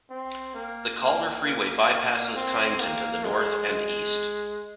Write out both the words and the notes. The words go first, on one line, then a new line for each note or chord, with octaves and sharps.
The Calder Freeway bypasses Kyneton to the north and east.
C4
A#3
A#3
A#3
C4
A#3
G#3
G#3